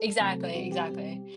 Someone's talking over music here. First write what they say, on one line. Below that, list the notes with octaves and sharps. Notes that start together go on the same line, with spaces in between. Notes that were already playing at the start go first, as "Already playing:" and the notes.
Exactly, exactly,
Already playing: A4
C3 F#3 A3 C4
B2 G3 C4 F#4
G4
B2 G3 C4